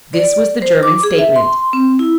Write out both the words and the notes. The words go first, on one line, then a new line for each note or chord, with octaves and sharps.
This was the German statement.
D5
C5
D6
G#4
E5
C6
C4
E4